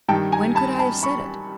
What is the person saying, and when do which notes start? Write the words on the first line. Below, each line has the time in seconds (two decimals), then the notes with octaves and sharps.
"When could I have said it?"
0.08 G2 D#3 G3 G5 A5
0.32 G#5 A#5
0.55 A5 B5
0.79 A5 B5
1.03 B5 C#6